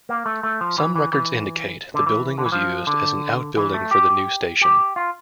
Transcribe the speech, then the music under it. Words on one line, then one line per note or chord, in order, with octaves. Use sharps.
Some records indicate the building was used as an outbuilding for the new station.
A#3
A3
A3
F3
E3
E3
E3
D3
E3
D3
E3
F3
D3
E3
A3
G4
G4
F4